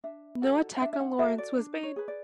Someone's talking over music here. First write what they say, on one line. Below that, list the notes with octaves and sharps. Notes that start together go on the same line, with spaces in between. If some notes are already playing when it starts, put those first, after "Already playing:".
No attack on Lawrence was made.
D4 E5
F#4 A4 F#5
F#5
D4 E5
E5
F#5
F#4 A4 E5
D5
D4
C#5
G#4 B4
D5